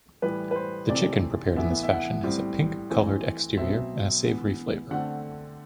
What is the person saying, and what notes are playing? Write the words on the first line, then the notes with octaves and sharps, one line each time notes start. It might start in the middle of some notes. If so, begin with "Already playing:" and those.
The chicken prepared in this fashion has a pink-colored exterior and a savory flavor.
A2 E3 G3 B4
B4
C5
C3 E3 A3 C4 D5
A2 E3 B3 E5
E5
F#5
A2 G3 C4
E3 A3 C4
B2 F#3 C4 E5
E3 B3
D3 A3 C4 F#5